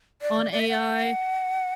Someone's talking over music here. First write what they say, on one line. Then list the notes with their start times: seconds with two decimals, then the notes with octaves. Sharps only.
on AI,
0.22 D5
0.52 D5
0.60 E5
0.69 F#5